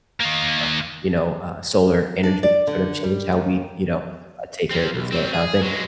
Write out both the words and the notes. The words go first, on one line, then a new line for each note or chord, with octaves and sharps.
uh, you know, uh, solar energy can sort of change how we, you know, uh, take care of it so, uh, thank you.
D#3 A#3
D4
D5
D3
G3
D#2
F3 C4
B1
F#3 C4
G#4
F#3 G#3